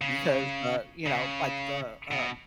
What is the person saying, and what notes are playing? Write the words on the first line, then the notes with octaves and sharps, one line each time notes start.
because, uh, you know, like, the, um,
C#3
C#3
B2